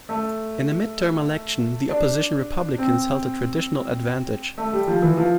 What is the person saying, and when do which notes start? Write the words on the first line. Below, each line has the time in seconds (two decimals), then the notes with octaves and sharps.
In a midterm election, the opposition Republicans held the traditional advantage.
0.09 A3
1.89 D4
2.78 C4
4.58 A3
4.73 G3
4.87 F3
5.02 E3
5.17 F3